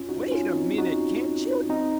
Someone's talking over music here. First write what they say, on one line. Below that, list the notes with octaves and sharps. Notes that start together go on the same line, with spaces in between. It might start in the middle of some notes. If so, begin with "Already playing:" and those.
"Wait a MINUTE, can't you?"
Already playing: C#4 F4
D#4 F#4
C#4 F4
C4 D#4
D#4 F#4
C4 D#4